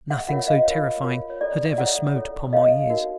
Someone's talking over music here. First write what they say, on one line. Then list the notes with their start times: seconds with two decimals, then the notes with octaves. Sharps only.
Nothing so terrifying had ever smote upon my ears.
0.10 E5 F#5
0.28 F4 A#4 C#5 E5 F#5
0.48 D#5 F5
0.66 F4 A#4 C#5
1.03 F4 A#4 C#5
1.30 C#5
1.41 E4 A4 C#5 D5
1.65 D5 E5
1.78 E4 A4 C#5 E5 F#5
2.16 E4 A4 C#5
2.52 E4 A4 C#5 D#5 F5
2.90 D#4 F#4 A#4